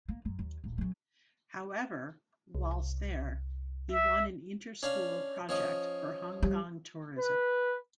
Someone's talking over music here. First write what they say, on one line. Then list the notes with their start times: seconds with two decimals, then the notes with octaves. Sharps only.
However, whilst there, he won an inter-school project for Hong Kong tourism.
0.08 A#3
0.25 F#2 F#3
0.39 D#2
0.64 D#1 A#1
0.78 C#3 F#3
2.55 C2
3.92 E5
4.83 C#4 D4 F5
5.49 F3 C#4 D#5
6.43 G3
7.19 B4